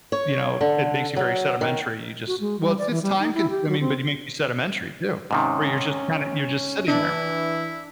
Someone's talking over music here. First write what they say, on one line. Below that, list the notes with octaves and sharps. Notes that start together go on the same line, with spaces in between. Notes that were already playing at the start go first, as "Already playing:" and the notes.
you know, it makes you very sedimentary, you just well, it's just time consuming but it makes you sedimentary too, where you're just kinda you're sitting there,
C#5
D3
F#3
D#3
F#4
G#3
G3
D5
E3
G3
D#4
E4
G4
F#3
C4
G#2 C3 D#3 C#4
E3 D4 E4